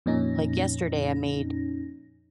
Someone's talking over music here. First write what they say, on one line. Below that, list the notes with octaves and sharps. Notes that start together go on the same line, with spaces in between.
like, yesterday, I made,
F2 A#2 C#4 D#4 A#6